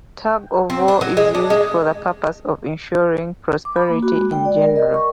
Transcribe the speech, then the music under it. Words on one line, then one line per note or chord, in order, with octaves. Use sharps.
Tug-of-war is used for the purpose of ensuring prosperity in general.
C4
D4
F#3
G#3
D4
G#3
D6
B5
A#3
F#4
G#3
G5
D5
A#4
D#5
C#6